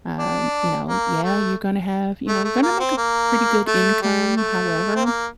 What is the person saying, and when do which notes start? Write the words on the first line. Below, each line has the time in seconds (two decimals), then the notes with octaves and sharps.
Um, you know, yeah, you're gonna have you know, you're gonna make a pretty good income, however,
0.19 D4
0.89 A#3
1.24 A3
2.28 A3
2.44 A3
2.62 A#3
2.80 C4
2.97 A#3
3.67 A3
4.02 G3
4.37 A3
4.96 C4
5.06 A#3